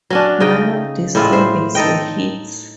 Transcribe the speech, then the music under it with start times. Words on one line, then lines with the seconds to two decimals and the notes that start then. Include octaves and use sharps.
None of these singles were hits.
0.10 F#3 C#4 D4
0.40 C#3 D#4 D#5 G5
1.15 A2 G#3 E4 F4
1.33 C5
1.75 D#4 A4 D#5 G5